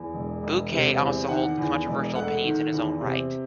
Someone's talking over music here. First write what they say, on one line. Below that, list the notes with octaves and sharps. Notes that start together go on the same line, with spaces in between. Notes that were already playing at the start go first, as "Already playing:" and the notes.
Bukay also holds controversial opinions in his own right.
Already playing: E2
E1
E1
C3
E2
D#3 F#5
E2
E1
A3 F#5
D#3
E2
C3